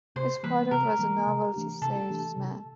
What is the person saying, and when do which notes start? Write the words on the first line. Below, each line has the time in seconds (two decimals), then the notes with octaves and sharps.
His father was a novelty salesman.
0.16 C3 C5
0.43 E3 G3 A#3 B4
0.71 C3 A#4
0.99 E3 G3 A#3
1.27 C3
1.54 E3 A3 D4 G4
1.81 C3 A4
2.10 E3 A3 D4 G4
2.37 C3